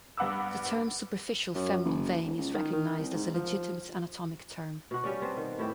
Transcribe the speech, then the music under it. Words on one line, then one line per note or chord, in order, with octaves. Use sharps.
The term "superficial femoral vein" is recognized as a legitimate anatomic term.
G2 B3 F#5 B5 D6 E6
F#2
F#1
E1
C#2
D#3
D#3
C2
G#2
F3
B2 F#4
G3 C#4 D5
B3 C4 D4
D#3
A2 G3 E4 G4